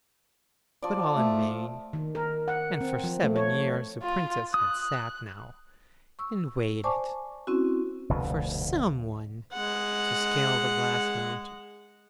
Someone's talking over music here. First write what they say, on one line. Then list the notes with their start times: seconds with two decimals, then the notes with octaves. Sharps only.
But all in vain, and for seven years the Princess had sat now and waited for some one to scale the Glass Mountain.
0.83 F3 D5
1.16 A3
1.93 D#3
2.15 A#4
2.48 F#5
2.81 C4
3.04 F3
3.23 A3
3.36 C#5
4.03 F4
4.54 D#6 F#6
6.19 C#6 E6
6.84 C5 D5 G#5 A5 C#6 D6
7.47 C4 C#4 E4 F#4
8.09 F1 D2 B2
9.53 G#3 F#5